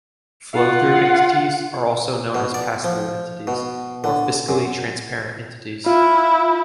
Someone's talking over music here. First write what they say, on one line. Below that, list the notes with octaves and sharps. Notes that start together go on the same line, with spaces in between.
Flow-through entities are also known as pass-through entities or fiscally-transparent entities.
F4 F#5
B2
D5
F3
B2
D3
F#2
E4 F4